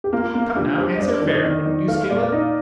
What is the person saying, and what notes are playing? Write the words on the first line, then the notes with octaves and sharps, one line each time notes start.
Come, now, answer fair--wouldn't you steal it?
G4
A#3 F4
A#3
D4 G4
G4 C5
D#5
D4 D5
D#3
D#5
D#3 D#5
D#3
A3 F5
A#2 D5
D#4 D#5